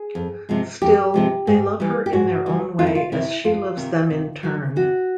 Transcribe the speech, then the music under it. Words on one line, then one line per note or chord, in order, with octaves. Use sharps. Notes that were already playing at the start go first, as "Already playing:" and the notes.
Still, they love her in their own way as she loves them in turn.
Already playing: G#4
F2
C3 F3 G#3
F2 G4
C3 F3 G#3
G#2
E3 G3
G4
G#2 F#4
E3 G3
F2 F4
E4
F4
C3 D#3 E4
F2 F4
C3 D#3
C3
D#3 F#3
C3 F#4